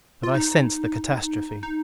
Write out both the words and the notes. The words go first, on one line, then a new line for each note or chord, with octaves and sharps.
But I sensed the catastrophe.
F4
D#4
D#4